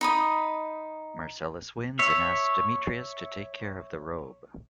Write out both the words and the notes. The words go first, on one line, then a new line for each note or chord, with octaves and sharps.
Marcellus wins and asks Demetrius to take care of the robe.
D#4 B5 D#6
C#5 E5